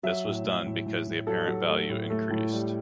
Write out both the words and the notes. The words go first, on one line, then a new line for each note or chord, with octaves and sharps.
This was done because the apparent value increased.
F#3 E5
A2
A2
A2
A2
A2
F#3 A4
F#3
A3
A2
A3
A2
G3